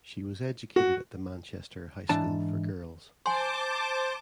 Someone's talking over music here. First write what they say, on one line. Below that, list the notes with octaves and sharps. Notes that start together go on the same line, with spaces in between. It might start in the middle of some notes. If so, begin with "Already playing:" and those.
She was educated at the Manchester High School for Girls.
F#4
G#2 E3 D4 A5
C5 G#5 A5 C6 D6